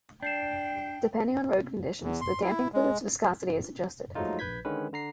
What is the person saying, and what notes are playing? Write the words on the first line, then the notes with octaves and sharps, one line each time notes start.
Depending on road conditions, the damping fluid's viscosity is adjusted.
D4 G5 G6 C7 E7
E2
C6
E4
G#3
F3 F#3 G#3 A3 D#4 F4
A#1 B4 G6 G#6 B6
D3 D#3 G#3 C#4 B4
D3 A#5 C7